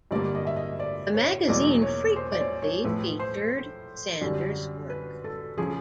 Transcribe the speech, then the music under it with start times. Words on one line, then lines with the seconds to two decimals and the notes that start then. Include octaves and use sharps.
The magazine frequently featured Sanders' work.
0.11 G2 D3 G3 A#3 D5
0.35 D#5
0.47 E5
0.56 D#5
0.79 D5
1.14 C#5
1.47 E2 B2 F#3 A#3 D5
1.82 C#5
2.16 C5
2.32 D5
2.39 C#5
2.62 C#5
2.84 A2 F3 A3 B4
3.19 C5
4.21 F#2 D3 G3
4.90 B4
5.24 A4
5.58 C#3 F3 G#4